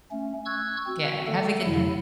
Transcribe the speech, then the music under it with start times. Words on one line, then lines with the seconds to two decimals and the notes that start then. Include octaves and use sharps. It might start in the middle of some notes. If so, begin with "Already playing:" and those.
Yeah, have a good night.
0.11 A3 C#4
0.45 C#6 E6 F#6 G#6
0.86 C4 F#4
1.26 A3 A4 F#5
1.65 F2 C3 F#3 E4